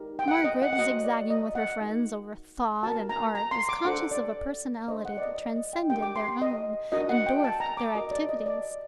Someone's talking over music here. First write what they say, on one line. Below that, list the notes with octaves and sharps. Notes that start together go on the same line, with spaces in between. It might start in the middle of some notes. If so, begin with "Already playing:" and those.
Margaret, zigzagging with her friends over Thought and Art, was conscious of a personality that transcended their own and dwarfed their activities.
Already playing: D#4 G4 A#4
G5
F#5
D#5
F#5
F#5
F#4 C5 D#5
D5
D#5
F#5
D#4 F#4 A#4
F#4 A#4 A5
A#5
A#5
C6
D6
D4 A4 C5 F#5
D5
D4 A4 C5 D#5
F#5
D5
D#5
D#5
G5
D4 G4 A#4 G5
D6
C6
D#5
D4 F#4 A#4 D#5
F#5
G5
A5
A#5
D6
F#4 A#4 D#5
D5
D#5
D5